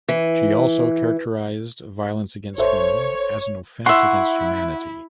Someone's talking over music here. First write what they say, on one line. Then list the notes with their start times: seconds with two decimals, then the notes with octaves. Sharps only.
She also characterised violence against women as an offence against humanity.
0.09 E3
2.58 G#1 A4 C5 C#5 E5
3.86 E4 E5 F#5 C6 C#6 F#6